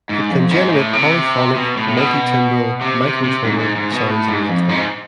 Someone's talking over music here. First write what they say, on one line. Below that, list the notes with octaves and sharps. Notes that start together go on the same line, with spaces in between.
It can generate polyphonic, multitimbral, microtonal sounds in realtime.
G#2
F2
G#2
A2
C3
B2
A2
A2
B2
C3
C3
C3
G#2
G#2
G#2
B2
A2
G#2
F2
G#2